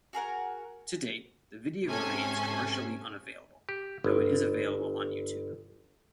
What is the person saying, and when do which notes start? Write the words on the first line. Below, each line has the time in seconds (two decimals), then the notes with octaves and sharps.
To date, the video remains commercially unavailable, though it is available on YouTube.
0.13 F#4 G#4 A#4 F#5
1.86 G#2 C3 C#4 A4 G#5
3.69 G4
4.04 G1